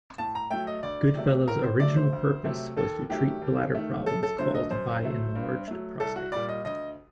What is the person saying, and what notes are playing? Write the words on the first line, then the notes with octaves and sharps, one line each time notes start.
Goodfellow's original purpose was to treat bladder problems caused by an enlarged prostate.
A2 A5
A#5
F#3 A3 G5
D#5
D2 D5
C3 F#3 A3
A2 A#4
C5
F#3 A3 D5
C5
D2
C3 F#3 A3
D#2 A4
D#3 F#3 A3 G4
D#2
D#3 A3
F#2 A4
A4
D3 F#3 A3 C5
D#5
F#2 C5
F#3 A3
G2
F#3 A3
C2 A4
F#4
A#2 G3 D5
D#5
D2 D#5